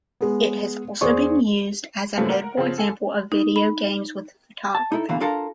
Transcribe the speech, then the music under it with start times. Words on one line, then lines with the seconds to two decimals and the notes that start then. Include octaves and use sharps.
It has also been used as a notable example of video games with photography.
0.21 G#3 B3
1.01 E2 G#4 C5 D5 C#6
2.17 F#2 A2 C#3 A3 A#3 C4
2.29 A#4 F#5
2.57 C#3 F3 C4
2.78 A4 G#5
3.32 D#4
3.56 B5
4.75 A5
4.92 D#4 E4 A4
5.09 E2 A#2 D3 E3 F#4 F5
5.20 D4 F4 A4 A#4 F5 A5